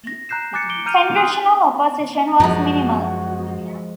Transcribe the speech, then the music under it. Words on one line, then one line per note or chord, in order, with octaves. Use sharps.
Congressional opposition was minimal.
A#6
A#5 F#6 G6 C7 E7
G#5 D6 F#6 A6 C#7
D6 D7 G7
A#5 F6 G6 D#7 F7
C6 D#6 F#6 C7
F#2 F3 G#3 F#4